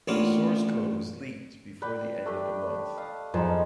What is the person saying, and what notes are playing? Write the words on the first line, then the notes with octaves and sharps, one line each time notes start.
The source code was leaked before the end of the month.
A1 A#3 B3 C#4 D4 F4
B4 D5 G5
A3 D4 G4
F5 A5 D#6
F2 G#3 B3 D#4